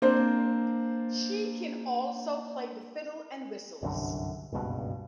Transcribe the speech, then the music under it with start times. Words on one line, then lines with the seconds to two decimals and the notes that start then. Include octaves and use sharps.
She can also play the fiddle and whistles.
0.02 A#3 C4 D4 C5
3.82 G1 C2 F#2 D3
4.52 F#1 C#2 G2 B2